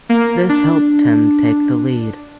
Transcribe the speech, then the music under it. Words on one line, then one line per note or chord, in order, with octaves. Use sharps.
This helped him take the lead.
A#3
D4